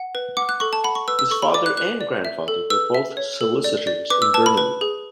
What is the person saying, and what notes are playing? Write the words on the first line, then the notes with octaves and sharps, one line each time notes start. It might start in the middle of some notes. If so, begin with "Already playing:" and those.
His father and grandfather were both solicitors in Burnley.
Already playing: F#5
B4
F#5 D6
F#6
A4 C#6
A5
F#5 B5
C#6
B4 E6
E6
A4 C#6
B5
D5 D6
F#6
B4 F#6
D5
E5
A4
B4 E6
E5
C#5
A4
D5
D5
B4 D6
E6
B4 A5
B5
B4
G#4